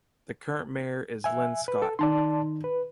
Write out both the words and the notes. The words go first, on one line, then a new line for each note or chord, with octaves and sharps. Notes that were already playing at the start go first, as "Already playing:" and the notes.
The current mayor is Lynn Scott.
E5 G#5
B4
A4
D#3 D5 A5 C6
B4